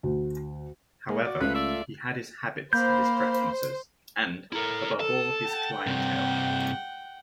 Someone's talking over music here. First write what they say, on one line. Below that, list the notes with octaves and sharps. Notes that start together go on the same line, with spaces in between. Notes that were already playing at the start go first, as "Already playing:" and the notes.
However, he had his habits and his preferences, and, above all his 'clientele'.
D2
G#3 A#3
F#4 D5
C#2 C3 A3 F4 B4
D5 E5
A#3 C5 B5 G6
E4 A4 A#4
A4 A5
F#5 G5
G2 C3